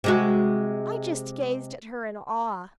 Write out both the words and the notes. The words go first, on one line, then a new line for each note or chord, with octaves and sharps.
I just gazed at her in awe.
C3 G#3 F#4